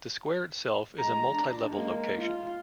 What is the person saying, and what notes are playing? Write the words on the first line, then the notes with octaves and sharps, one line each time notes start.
The square itself is a multi-level location.
G#3 A#5
D4
G#3 A#3
F4